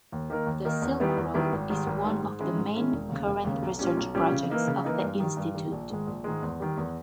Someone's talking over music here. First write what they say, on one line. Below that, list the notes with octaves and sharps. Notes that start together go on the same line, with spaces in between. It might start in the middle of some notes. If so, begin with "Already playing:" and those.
The Silk Road is one of the main current research projects of the institute.
D#2
D#3 A#3 D#4 A#4
D#2
D#3 A#3 D#4 A#4
E2
D#3 G3 B3 E4
E2
D#3 G3 B3 E4
G#1
G#2 D#3 G3
G#1
G#2 D#3 G3
G#2
D#3 G#3 C#4 E4
G#2
D#3 G#3 C#4 E4
E1
D#2 C#3
E1
D#2 C#3
B1
A#2 G3 C#4
B1
A#2 G3 C#4
C#3
E3 A#3 D#4
C#3
E3 A#3 D#4
G2
D#3 G3
G2
D#3 G3
A#1
G#2 D#3 G#3
A#1
G#2 D#3 G#3
E2
D#3 G3
E2